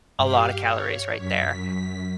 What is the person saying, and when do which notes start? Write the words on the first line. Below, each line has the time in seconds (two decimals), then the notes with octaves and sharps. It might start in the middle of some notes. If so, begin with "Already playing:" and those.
a lotta calories right there."
0.19 G2 G4 F5
0.62 C#5
1.16 F#2 B6